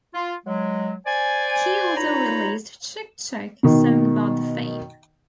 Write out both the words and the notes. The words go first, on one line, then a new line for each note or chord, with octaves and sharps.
Key also released "Chic Chic", song about the fame.
F4
F#3 G#3
C5 D5 G#5
G2 D#4 F4 C#5 A#5 B5
B2 D#3